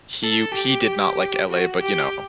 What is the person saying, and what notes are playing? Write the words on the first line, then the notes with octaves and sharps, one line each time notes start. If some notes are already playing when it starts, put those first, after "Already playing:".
he he did not like LA, but, you know
A4
G4
F#4
G4